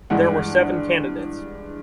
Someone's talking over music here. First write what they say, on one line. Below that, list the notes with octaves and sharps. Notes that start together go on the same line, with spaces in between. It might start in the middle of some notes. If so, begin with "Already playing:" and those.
There were seven candidates.
G2 E3 G#3 F#5